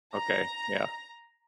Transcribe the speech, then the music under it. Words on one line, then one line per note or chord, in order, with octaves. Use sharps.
Okay, yeah.
A#5